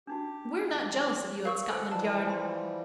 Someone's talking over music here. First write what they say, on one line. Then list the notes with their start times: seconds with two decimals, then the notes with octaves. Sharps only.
We're not jealous of you at Scotland Yard.
0.07 D4 D#4 F#4 G4
0.66 E2 G4
1.45 A#4 F5 C#6 E6
1.68 A4 C5 F#5
1.91 E3 F3 G3 D#5 A5
2.30 C6